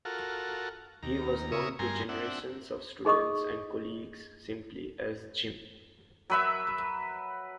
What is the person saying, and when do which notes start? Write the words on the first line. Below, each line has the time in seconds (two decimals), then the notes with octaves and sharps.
He was known to generations of students and colleagues simply as 'Gim'.
0.05 F4 F#4 A4 A#4
1.03 D#2 A#5
1.52 C#3 A#4 E5 C#6 D#6
1.79 G2 A#4 G#5 A#5 C6
2.09 C4 D4 E5 F#5
3.05 D#4 G#4 D#5 C#6 D#6
6.30 F#3 B4 E5